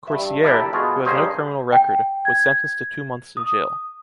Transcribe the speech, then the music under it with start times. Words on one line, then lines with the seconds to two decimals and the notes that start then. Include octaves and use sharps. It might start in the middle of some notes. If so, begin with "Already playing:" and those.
Coursier, who has no criminal record, was sentenced to two months in jail.
0.07 G2 E5
0.43 D4 E4 G4 A4 A#4 E5
0.73 B2 B3 F4 F#4 G#4
1.05 G2 A#3 C#4 G#4 C5 D#5
1.72 G5
2.25 G#6
3.37 D#6